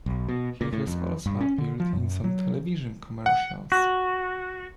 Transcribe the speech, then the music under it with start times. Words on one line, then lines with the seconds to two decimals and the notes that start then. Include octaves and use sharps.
He has also appeared in some television commercials.
0.06 B1
0.29 B2
0.61 A#2
0.73 A2
0.87 F2
1.26 G2
1.41 C#4
1.58 D3
1.80 F3
1.93 F#2
2.24 F#3
3.26 F#5
3.72 F#4